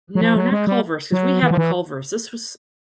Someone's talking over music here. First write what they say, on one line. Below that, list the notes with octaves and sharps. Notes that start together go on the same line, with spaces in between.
No, not Culver's ‘cause we have a Culver's, this was
F#3
F3
F#3
G#3
G3
F#3
E3
F3
E3